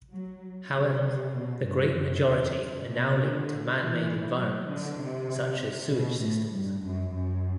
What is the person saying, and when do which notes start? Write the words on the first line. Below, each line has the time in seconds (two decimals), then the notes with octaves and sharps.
However, the great majority are now linked to man-made environments, such as sewage systems.
0.11 F#3
0.73 C3
1.34 B2
1.64 G2
1.94 F#2
2.26 E2
2.56 F#2
2.87 B2
3.17 D3
3.78 E3
4.38 F#3
4.68 D3
4.99 C3
5.61 C3
5.91 B2
6.22 A2
6.52 G2
6.83 F#2
7.13 F#2